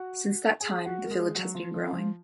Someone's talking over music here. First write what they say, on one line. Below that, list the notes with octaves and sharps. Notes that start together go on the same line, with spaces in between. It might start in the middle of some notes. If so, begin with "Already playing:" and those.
Since that time, the village has been growing.
Already playing: F#4 F#5
G#4 G#5
F#4 F#5
A#4
G#3 G#4
F#3 F#4
F3 F4
F3 F4
F3 F4